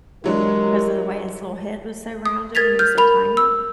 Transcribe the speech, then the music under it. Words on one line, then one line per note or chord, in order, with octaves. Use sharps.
'cause of the way his little head was so rounded and he was so tiny,
E3 F#3 G#3 D4 G4 A#4
D#6
A#4 G#6 A6 B6 F7
F6 G6
A#4 B5 F7
E6